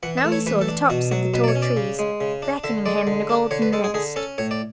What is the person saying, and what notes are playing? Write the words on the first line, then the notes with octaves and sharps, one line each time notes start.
Now he saw the tops of the tall trees beckoning him in a golden mist.
E3 F#5
E5
A3
C#5
E3 B4
A4
D4
B2 F#4
F#3 F#4
B2 B4
D5
C#5
C#4
D5
C#3
G#3
C#3
D4
D3 E5
G#3 D5
D3
D4
D3 C#5
B4
G#3 A4
G#4
D3 G#4
C#4 A4
A2 C#5
D5